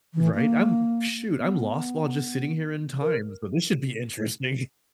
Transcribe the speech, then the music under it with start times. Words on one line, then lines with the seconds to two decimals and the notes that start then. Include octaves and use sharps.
Right, I'm, shoot, I'm lost while just sitting here in time, so this should be interesting.
0.14 E3
0.35 A#3
1.38 B3
3.02 A#4